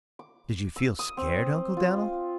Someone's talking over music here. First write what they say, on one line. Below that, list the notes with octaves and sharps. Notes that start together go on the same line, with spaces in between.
"Did you feel scared, Uncle Dan'l?"
D6
E6
D#6
C4
F4